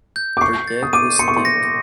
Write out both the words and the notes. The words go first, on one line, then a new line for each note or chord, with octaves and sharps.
Her deck was thick.
G6
D6
C#6 C7
A6
D#6
D6 D#7
C6 C#7
C#6
C6
A#6